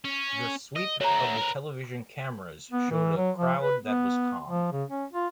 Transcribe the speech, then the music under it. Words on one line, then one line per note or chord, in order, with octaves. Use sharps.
The sweep of the television cameras showed a crowd that was calm.
C#4
D#5
A3 F#4 C#5 A#5
A#4 B4
B3
E3
F#3
F3
B4
B3
F3
C#3
C#4
F4